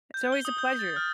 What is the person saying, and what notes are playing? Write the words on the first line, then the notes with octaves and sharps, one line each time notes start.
It's always a pleasure.
G6
G7
D#6
G6
A6
F6